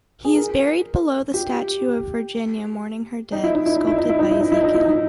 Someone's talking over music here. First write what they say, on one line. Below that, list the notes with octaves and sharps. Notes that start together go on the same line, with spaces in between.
He is buried below the statue of Virginia Mourning Her Dead sculpted by Ezekiel.
G#4
A#4
G4
D#4
E4
D#4
E4
D#4
E4
D#4
E4
D#4
E4
D#4
E4
D#4
E4
D#4